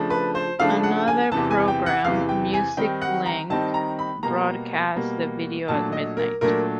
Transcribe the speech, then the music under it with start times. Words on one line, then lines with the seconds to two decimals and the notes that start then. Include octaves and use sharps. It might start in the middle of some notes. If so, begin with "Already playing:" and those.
Another program, "Music Link", broadcast the video at midnight.
Already playing: C#3 F3 A3 D4
0.10 B4
0.35 C5
0.59 C#3 F3 A3 D4 F5
0.83 F#5
1.08 G#5
1.31 E2 C3 E3 A5
1.51 G#5
1.68 G5
1.86 F#5
2.04 E2 C3 E3 F5
2.29 G5
2.53 G#5
2.77 D#3 G3 C4 D#4 G5
3.02 F#5
3.26 A#5
3.50 D#3 G3 C4 D#4 A5
3.74 A#5
3.99 B5
4.23 B2 G3 A#3 A#5
4.95 B2 G3 A#3
5.68 A#2 F#3 A3 D4 A5
5.92 D#5
6.17 A#4
6.41 A#2 F#3 A3 D4 A#4